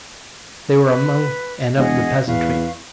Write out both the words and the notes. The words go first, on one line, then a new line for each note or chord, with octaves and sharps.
They were among and of the peasantry.
B4
E1 G#4 D#5 F#5
E2 B4 F5 C#6